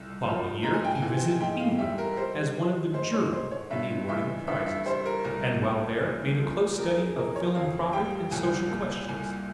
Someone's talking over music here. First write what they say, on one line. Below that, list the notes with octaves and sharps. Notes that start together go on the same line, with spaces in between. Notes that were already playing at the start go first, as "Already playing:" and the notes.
The following year he visited England as one of the "jury" in the awarding of prizes; and while there made a close study of philanthropic and social questions.
Already playing: C2 E6
F3
G#2 A#5
G#5
G5
G#5
E3
G#2 G5
F5
G3 E5
A#4
G3 C5
G3
G#2 C5
C#5
G#2 C5
C#5
G2 E5
E3 E5
G2 E5
E5
G3 C5
A#4
C2 A#4
A#2
C2
F3
F2 A#4
G#4
E3 A#4
C#5
F2 F5
G3 G5
C2 G#5
A#2
C2 G#5